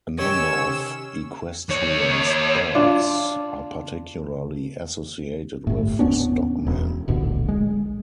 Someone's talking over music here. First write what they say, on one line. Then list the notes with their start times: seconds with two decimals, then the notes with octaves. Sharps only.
A number of equestrian sports are particularly associated with stockmen.
0.19 C3 D#3 C#4 G4 C#5 E6
1.69 D#2 C#5
2.75 D4 F4
5.67 G1 A2
5.99 D#2 B3 C#4 D4
6.67 E1
7.08 D#1 B1 A2 D3
7.49 G#3